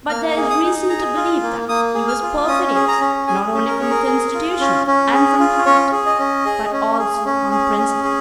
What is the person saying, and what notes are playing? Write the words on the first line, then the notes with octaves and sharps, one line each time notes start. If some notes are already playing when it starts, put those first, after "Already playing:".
But there is reason to believe that he was perfidious, not only from constitution and from habit, but also on principle.
A#3 F6
G#4
D#6
D#4
G#4 A#5
F4
A#3
A#3 D#6
G#4
F6
F4
C#4 D#6
G#4
A#5
C#4
G#4 G#5
C#4
A#4
G#4 C#5
A#4
G#4
F4
C#4
C#4
G#4
F4
C#4 C#5
G#4
D#5
C#4
G#4
C#4
G#4
C#4
G#4
C#4
G#4